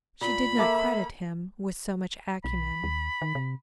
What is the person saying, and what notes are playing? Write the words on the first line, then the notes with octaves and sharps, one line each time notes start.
She did not credit him with so much acumen.
A#2 B5
A#3 A4 E5 D6
B1 B5
D#2
D#3
C3